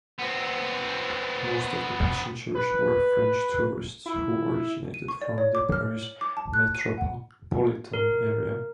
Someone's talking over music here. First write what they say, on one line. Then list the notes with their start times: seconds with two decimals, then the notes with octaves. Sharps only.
Most of the passengers were French tourists who originated from the Paris metropolitan area.
0.19 B3 C4
2.55 B4
4.06 E4
4.94 D#7
5.08 C#6
5.22 D5
5.38 C#5
5.55 D6
5.72 F6
6.03 F#7
6.21 D6
6.37 A5
6.54 F#6
6.75 D#7
6.98 F#5
7.93 A#4